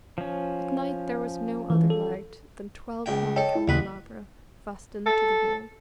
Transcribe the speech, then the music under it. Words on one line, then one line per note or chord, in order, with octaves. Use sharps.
At night there was no other light than twelve half candelabra, fastened to the wall.
F3 C#4
E3
A4
C#2 G5
A4 C#5 D#5 G5
E4
A1 D#2 C#3 B4
A4